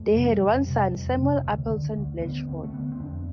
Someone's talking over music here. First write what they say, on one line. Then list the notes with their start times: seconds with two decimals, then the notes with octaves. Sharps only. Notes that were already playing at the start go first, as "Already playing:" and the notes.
They had one son, Samuel Appleton Blatchford.
Already playing: F2 A3
0.15 C3
0.20 F3
0.28 G3
0.41 F2
0.67 C3
0.93 F2
1.18 C3
1.44 D2
1.70 D3
1.96 D2
2.22 D3 B3
2.48 D2 C4
2.64 A3
2.74 D3 B3
2.92 C4
3.00 F2 D4